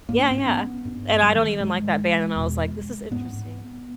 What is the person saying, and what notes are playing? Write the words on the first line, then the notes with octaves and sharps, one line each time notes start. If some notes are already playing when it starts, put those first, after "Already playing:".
Yeah, yeah, and I don't even like that band, and I was, like, "This is interesting."
G#2 A#3
C#4
B3
C#4
B3
G2
G3
D#3
G#2 G#3
E2 B2
G#2 B3